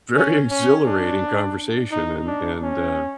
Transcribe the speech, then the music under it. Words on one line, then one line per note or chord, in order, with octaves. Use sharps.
very, exhilarating conversation and and, uh,
C#4
C#4
D4
D#4
D4
C#4